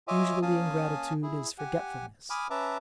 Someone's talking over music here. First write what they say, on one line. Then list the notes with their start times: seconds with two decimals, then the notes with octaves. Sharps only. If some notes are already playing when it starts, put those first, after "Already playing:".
Usually, ingratitude is forgetfulness.
0.08 F4 C#5 D#5 E5 G#5 D6
0.42 A#3 C#4 F5 G#5 A5 D#6
1.23 E4 G#4
1.58 G4 F#5 G#5
2.30 G#5 B5 D6 D#6 F6
2.50 C#4 B4 E5 A5 A#5 D6